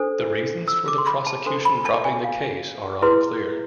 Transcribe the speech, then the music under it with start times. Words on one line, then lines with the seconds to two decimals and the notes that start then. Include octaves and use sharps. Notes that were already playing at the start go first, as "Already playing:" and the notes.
The reasons for the prosecution dropping the case are unclear.
Already playing: D4 A4 C5
0.68 E6
0.88 D6
0.98 C6
1.07 B5
1.27 A5
1.46 D4 A4 C5 C6
1.65 B5
1.85 A5
2.05 G#5
2.24 F5
3.02 E4 G#4 B4 C6